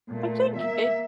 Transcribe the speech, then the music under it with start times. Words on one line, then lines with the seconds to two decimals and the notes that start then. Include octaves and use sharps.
I think it
0.10 A#2 A3
0.57 A#3 E5